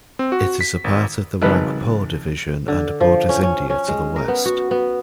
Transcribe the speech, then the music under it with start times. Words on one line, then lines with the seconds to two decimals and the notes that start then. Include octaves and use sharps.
It is a part of the Rangpur Division and borders India to the west.
0.19 C4
0.32 F#4
0.61 B6
0.84 G#1
1.42 G#1 C#3 F3 G3 B4
2.68 D3
3.01 F3
3.29 C#4
3.43 C#4
3.70 C#4
3.88 G#3
4.16 A#4
4.28 B3
4.45 F#4
4.71 B3